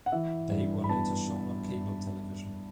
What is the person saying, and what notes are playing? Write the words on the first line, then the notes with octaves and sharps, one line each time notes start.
They were later shown on cable television.
F#5
E3 E5
G2
B5
B3 A5
B3
G2